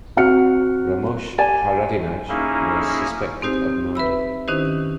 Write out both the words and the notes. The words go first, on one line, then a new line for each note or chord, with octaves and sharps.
Ramush Haradinaj was suspected of murder.
C4 F#4 F#5 F6 C#7
G4 D5 G#5 A5
A#3 C#4 D#4 E4 G#4
C4 D#4 G4 C5
B4 E5 B5 E6
D#3 C#4 D#4 E4 G4 C5